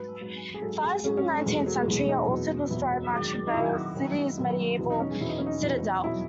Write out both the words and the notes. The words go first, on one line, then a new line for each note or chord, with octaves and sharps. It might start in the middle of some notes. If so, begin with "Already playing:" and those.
Fires in the nineteenth century also destroyed much of the city's medieval citadel.
Already playing: G#2 F#3 B4
G#2 F#3
G#4
G#2 F#3 A4
G#4
G#2 F#3 C#4
C#4
A3
E2 B2 F#3 G#3
A3
F#3
G#3
E2 B2 F#3 G#3
D#4
E2 B2 F#3
E2 B2 F#3 E4
F#3
F#2 D#3 F#3 G#3
D#4
F#2 D#3 F#3 E4
F#4
F#2 D#3 F#3
F#2 D#3 F#3
E2 B2 F#3
D#4
C#4
G#4
E2 B2 F#3 E4
D#4
C#4
D#4
E2 B2 F#3
B2 F#3 E4